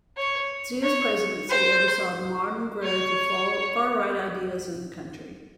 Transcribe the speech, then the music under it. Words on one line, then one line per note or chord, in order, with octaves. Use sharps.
Zia's presidency oversaw the modern growth of far-right ideas in the country.
C#5
C#5
C5
C#5